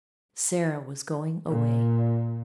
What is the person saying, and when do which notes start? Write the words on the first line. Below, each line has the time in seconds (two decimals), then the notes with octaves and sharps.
Sara was going away.
1.47 A#2